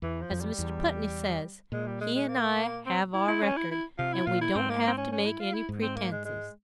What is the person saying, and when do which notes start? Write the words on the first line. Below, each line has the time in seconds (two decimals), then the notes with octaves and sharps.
As Mr. Putney says, he and I have our record, and we don't have to make any pretences.
0.02 E2 E3
0.21 F3
0.31 F2
0.41 G3
0.59 E2
1.72 A#2 G#3
1.87 G3
2.01 G#3
2.15 G#3
2.28 A#3
2.86 C4
3.14 E4
3.28 E4
3.42 C#4
3.57 E4
3.71 E4
3.98 C3 F4
4.13 E4
4.27 A#2 F4
4.41 E4
4.55 G#2 C4
4.70 A#3
4.87 C4
4.97 C#4
5.12 C#4
5.25 E4
5.40 F4
5.54 E4
5.69 G#2
5.82 C4
5.96 A#3
6.11 G#3
6.25 G#3